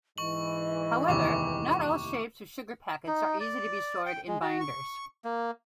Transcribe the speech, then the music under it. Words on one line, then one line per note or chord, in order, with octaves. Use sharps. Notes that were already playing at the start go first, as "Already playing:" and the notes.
However, not all shapes of sugar packets are easy to be stored in binders.
G#2 E3 D#5 C#6 F#7
F1 D#2 E4 C#6 D6
D#4
D5
G5
G#3
F#4
C#6
A#3